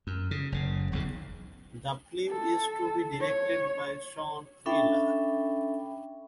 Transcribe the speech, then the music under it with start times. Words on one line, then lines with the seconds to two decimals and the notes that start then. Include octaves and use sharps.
The film is to be directed by Shawn Piller.
0.07 F#2
0.31 C#3
0.52 F#1 C#3
0.92 E1 B1 E2 C#3
2.28 A4
3.20 C#5
4.66 C#4 D4 A4 E5 G5 B5